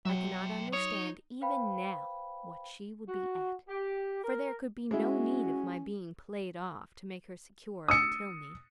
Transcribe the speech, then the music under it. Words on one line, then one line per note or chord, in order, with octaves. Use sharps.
I cannot understand even now what she would be at, for there could be no need of my being played off to make her secure of Tilney.
F#3 E5 G5
D#4 C#5
B4 C5 F5 G5 B5
F#4
G4
A#4
G#3 C#4 E4 F#4
D#6 E6 C#7